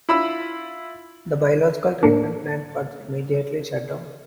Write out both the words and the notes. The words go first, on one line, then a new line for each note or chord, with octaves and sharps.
The biological treatment plant was immediately shut down.
E4 F4 B5 E6
A2 A#3 D4